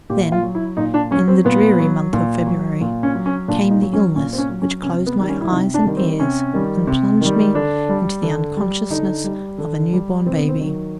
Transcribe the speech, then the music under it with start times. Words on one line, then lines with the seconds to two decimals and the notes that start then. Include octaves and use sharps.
Then, in the dreary month of February, came the illness which closed my eyes and ears and plunged me into the unconsciousness of a new-born baby.
0.10 A#2 G4
0.32 F4
0.43 F#3
0.55 E4
0.77 A#2 D#4
0.94 D4
1.11 F#3 C#4
1.28 C4
1.45 A#2 B3
1.79 F#3
2.13 A#2
2.46 F#3
2.81 A#2
3.03 C#4
3.15 F#3
3.26 C#4
3.48 A#2 D4
3.70 D#4
3.82 F#3
3.93 C#4
4.16 A#2 C#4
4.33 C4
4.38 C#4
4.50 F#3
4.62 C#4
4.83 C3 C#4
5.06 B3
5.18 D#3 G3
5.29 C#4
5.42 E4
5.52 C3 D#4
5.74 D4
5.85 D#3 G3
5.97 C4
6.19 C3 C#4
6.53 D#3 G3
6.87 C3
7.21 D#3 G3
7.55 D3 D4
7.89 G3
8.22 D3
8.57 G3
8.91 D3 D#4
9.24 G3
9.58 D3
9.92 G3
10.26 C3 C4
10.38 B3
10.49 C4
10.60 D#3 F#3